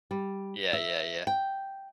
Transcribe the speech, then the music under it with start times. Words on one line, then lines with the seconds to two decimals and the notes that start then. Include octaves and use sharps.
Yeah, yeah, yeah.
0.11 G3
0.73 E5
1.27 G5